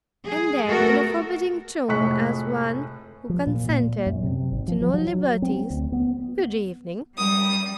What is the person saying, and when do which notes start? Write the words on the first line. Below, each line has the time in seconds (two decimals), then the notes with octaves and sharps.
And then in a forbidding tone, as one who consented to no liberties, "Good evening."
0.25 G#4
0.67 A3 B3 F#4 A4 A#4
1.88 F1 A2 G#3 C#6 F#6 B6
3.29 F3
3.47 A#2
3.70 A#2
4.06 F#2
4.23 C3
4.52 G#1
4.68 F3
4.81 F3
4.94 F#3
5.42 C4
5.70 D2
5.92 B3
7.16 G3 D#6